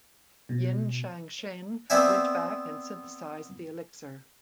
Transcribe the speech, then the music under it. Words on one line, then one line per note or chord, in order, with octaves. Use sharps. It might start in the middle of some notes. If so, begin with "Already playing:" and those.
Yin Changsheng went back and synthesized the elixir.
B2
B3 C4 C5 D5 E5 G#5